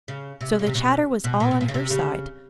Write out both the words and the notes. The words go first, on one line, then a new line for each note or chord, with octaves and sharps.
So the chatter was all on her side.
C#3
C3
C#3
C3
B2
B2
A#2
B2
A#2
C#3
C3
C#3